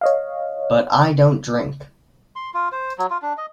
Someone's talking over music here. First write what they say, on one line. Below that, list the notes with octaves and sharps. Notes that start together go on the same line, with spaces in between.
But I don't drink.
C#5 D#5 F5
C6
F4
C5
F#3
F4
D4
D#5